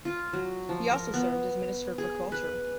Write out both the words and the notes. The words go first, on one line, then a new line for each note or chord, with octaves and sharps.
He also served as Minister for Culture.
F4
F#3
F3
A#4
B3
G#4
B4